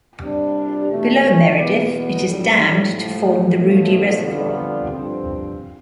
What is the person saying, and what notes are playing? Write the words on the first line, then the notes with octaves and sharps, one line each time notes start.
Below Meredith, it is dammed to form the Ruedi Reservoir.
C3 G3 D4
E2 B2 A3 D4
E2 B2 B3
A1 A2 G3
A2 F3 A3
B1 A2 F3 A3
F2 D3 G3 B3 F4
G2 F3 C4